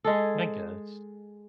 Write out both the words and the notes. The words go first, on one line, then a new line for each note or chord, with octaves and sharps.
I guess.
G#3 G#4 A4